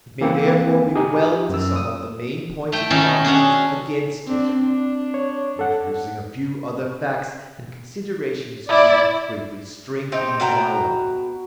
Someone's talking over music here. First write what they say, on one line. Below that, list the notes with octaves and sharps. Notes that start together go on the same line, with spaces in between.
It may therefore be well to sum up the main points of the arguments against his view, introducing a few other facts and considerations which greatly strengthen my argument.
E3 A#3 C4
D#4 G4 G#4
F#2 E6
D#6
A3 G5
D#3 C#4 D#4 A4
C#4 D4 F#4 G#4
C4 D4
D4
C#5
A4 F#5
E4 D5
C4 D#4 G4
B2 F#4 G5 A#5